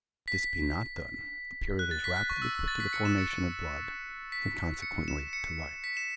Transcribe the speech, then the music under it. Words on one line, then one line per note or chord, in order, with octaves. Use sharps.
If this be not done, a period is rapidly put to the formation of blood, and consequently to life.
B6
F#6
A6
B6
F#6
C#6
E6
E6
A6
B6
C#7
E7
C#7
B6
C#7
E7
C#7
B6
E7